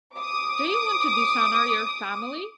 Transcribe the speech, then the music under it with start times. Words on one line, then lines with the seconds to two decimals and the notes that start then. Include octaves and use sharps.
Do you want to dishonor your family?
0.15 D6 D#6